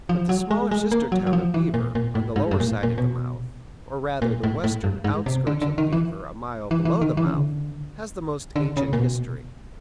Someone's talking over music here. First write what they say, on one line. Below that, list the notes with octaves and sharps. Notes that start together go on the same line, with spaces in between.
But the smaller sister town of Beaver, on the lower side of the mouth,--or rather the western outskirts of Beaver a mile below the mouth,--has the most ancient history.
F3
F#3
G#3
G#3
A#3
F#3
F#3
F3
E3
A#2
A#2
A2
G#2
G2
A#2
A2
A#2
B2
A#2
A2
A2
G2
G#2
C3
D3
D3
D#3
E3
E3
E3
D#3
E3
C#3
D3
D3
C#3
A#2
B2